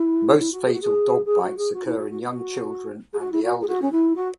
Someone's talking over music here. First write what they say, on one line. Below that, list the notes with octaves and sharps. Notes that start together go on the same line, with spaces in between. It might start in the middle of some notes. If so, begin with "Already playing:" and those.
Most fatal dog bites occur in young children and the elderly.
Already playing: E4
E4
F#4
G#4
F#4
G#4
G#4
F#4
G#4
F#4
E4
F#4
F#4
F#4
G#4
F#4
E4
F#4
G#4
F#4
C#4
E4
F#4